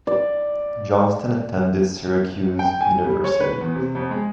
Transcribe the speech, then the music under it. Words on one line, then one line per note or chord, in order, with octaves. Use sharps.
Johnston attended Syracuse University.
D5
G5
G#5
G3
C#5
B4
E2
C3
F2
G#3